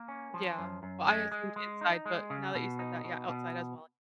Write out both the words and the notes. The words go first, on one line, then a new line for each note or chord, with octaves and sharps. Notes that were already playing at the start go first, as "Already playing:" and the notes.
Yeah, well, I assumed inside, but now that you said that, yeah, outside as well, mhm.
Already playing: A#3
C#4
F3
F#2
F#2
G#3
G#3
G#3
D#4
G#3
C#3
B2
D#4
B2
B2